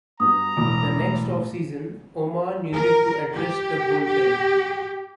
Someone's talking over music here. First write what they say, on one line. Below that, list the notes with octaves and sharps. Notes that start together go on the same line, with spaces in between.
The next offseason Omar needed to address the bullpen.
G2 B3 F#4 A#5 D#6
E1 D2 A2 D6
A#4
G4
G4